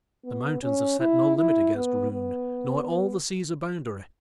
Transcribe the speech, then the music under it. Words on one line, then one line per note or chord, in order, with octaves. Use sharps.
The Mountains have set no limit against Roon nor all the seas a boundary.
B3
C#4
E4
E4
B3
B3